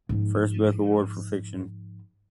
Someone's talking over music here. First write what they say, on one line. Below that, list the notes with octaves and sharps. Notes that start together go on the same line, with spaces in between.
First Book Award for Fiction.
G#2 F3